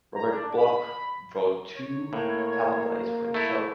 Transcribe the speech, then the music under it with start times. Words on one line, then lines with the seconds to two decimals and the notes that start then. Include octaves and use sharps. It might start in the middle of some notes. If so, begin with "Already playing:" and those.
Robert Bloch wrote two teleplays for the show.
0.15 A#5
0.30 D4
0.57 B5
1.77 C#5
2.13 A2 A#3
3.34 A3 E4